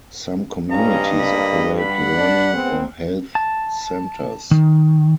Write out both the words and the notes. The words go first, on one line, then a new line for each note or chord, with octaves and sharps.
Some communities operate learning or health centers.
G2 C#4 D#5 F5 A#5
F#1 A#3 D4 B5
G3 F#5 B5
D4
B3 C4 G#4
A5
D#3